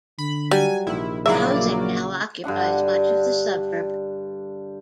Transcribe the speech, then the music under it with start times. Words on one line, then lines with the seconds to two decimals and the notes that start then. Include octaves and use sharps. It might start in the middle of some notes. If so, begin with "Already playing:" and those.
Housing now occupies much of the suburb.
0.19 D3 B5
0.51 F#3 G3 G#5
0.87 A#1 C3 D#3 E4
1.26 A#2 C#3 F#3 A#3 E4 D5 E5
2.44 G2 D3 D4 F#5